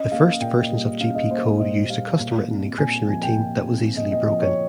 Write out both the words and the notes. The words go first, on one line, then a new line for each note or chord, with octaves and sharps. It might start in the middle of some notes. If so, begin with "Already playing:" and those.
The first versions of Gpcode used a custom-written encryption routine that was easily broken.
Already playing: C#4 D#5
A#3 F5
A#2 G5
G3
C#4 F5
D#5
A#3 C5
A#2 D#5
G3 F5
A#2
C4
A#2 G#5
F3 G#5
G5
A#2
C4
A#2 D#5
D#5
F3 D#5
C#5